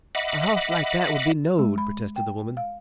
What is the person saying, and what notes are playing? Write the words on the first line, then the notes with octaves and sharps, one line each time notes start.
"A hoss like that would be knowed," protested the woman.
D#5 E5 F#5 B5 D6
G#3
B5
G5
F5